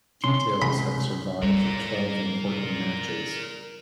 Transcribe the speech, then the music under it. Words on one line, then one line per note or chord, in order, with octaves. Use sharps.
Details have survived of twelve important matches.
C#4 C6
C#2 C3 G#3 B5
G3 A#4 D5